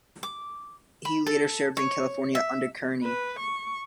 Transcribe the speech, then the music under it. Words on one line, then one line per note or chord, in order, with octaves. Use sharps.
He later served in California under Kearny.
D6
B5
A4
C#5
E5
B4
C#6